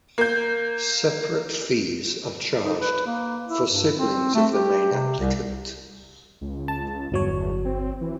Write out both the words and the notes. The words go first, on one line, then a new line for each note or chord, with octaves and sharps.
Separate fees are charged for siblings of the main applicant.
A#3 G6
D#4
B4
A#3
E4
G2
C4
A3
G4
C3
C2
C#2
A5
G1 E2 F#3 C#5
C4
E3